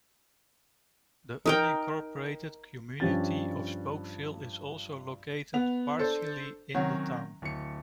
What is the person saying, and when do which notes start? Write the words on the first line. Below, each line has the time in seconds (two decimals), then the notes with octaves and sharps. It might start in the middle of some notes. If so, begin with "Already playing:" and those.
The unincorporated community of Spokeville is also located partially in the town.
1.46 D#4 A#4 G5
3.00 G2 F3 G3 C#4 A6
5.54 B3 F7
5.98 D4 A4 C5
6.74 C3 D#3 F#3 C#4 F#4
7.42 D1 C#7